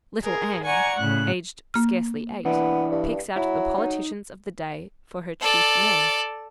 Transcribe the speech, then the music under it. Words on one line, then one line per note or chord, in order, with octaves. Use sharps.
Little Anne, aged scarcely eight, picks out the politicians of the day for her chief men.
G#4 A#4
D5 F#5 G#5 A#5 C#6
A2 C#3 F#6
A#3 F6
E3 B3 D4 E4
G2
F#3 E4
D#4
A4 D5